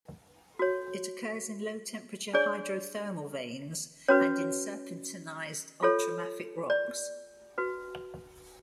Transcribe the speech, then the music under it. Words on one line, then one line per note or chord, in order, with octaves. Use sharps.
It occurs in low-temperature hydrothermal veins and in serpentinized ultramafic rocks.
F#4 C#5
D4 G#4 C#5 D5
C#4 F#4 B4 C#5
F4 A4 C#5
D5
F#4 B4